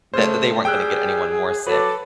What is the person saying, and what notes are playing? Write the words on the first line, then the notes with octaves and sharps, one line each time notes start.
th that they weren't gonna get anyone more sick.
C#3 A3 C5
G3 G#4 G5 E6 F#6
F#3 A4 B4 D6